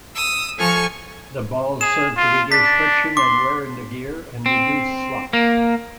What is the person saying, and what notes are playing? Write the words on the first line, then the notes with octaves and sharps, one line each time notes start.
The balls serve to reduce friction and wear in the gear, and reduce slop.
D#6 E6
F3 A4 G#5 C#6 F6
G#4 E7
F4
D4 A6 B6
C6 D6
C4
A#3